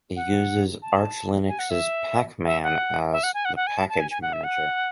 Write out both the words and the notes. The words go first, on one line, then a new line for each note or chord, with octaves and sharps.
It uses Arch Linux's Pacman as the package manager.
F#5
A5
G#5
F#5
E5
E5
F#5
E5
F#5
G#5
F#5
F#5
G#5
A5
A5
G#5
G#5
F#5
E5
F#5